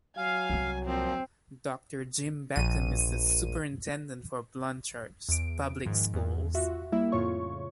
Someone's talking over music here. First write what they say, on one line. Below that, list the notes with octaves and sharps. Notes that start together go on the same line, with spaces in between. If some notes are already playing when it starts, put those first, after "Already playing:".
Doctor Jim Beckham is the Superintendent for Blanchard Public Schools.
F#3 F5 G#5
C2 A#3
A#2 F3 C4
A#1 D#7
E2 D7
G#2 D#3 F3
E2
F4 F#4 E5
G3 A#3 E4 E5
F2 A2 C#3 F4 C#5 C#6